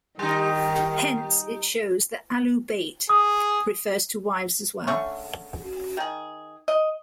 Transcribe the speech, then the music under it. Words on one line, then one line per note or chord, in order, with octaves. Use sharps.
Hence, it shows that Ahlul-bayt refers to wives as well.
D#3 G3 D#4
G#4 D#6
D3 A3 C#4 C#6
D#3 G#4
D#5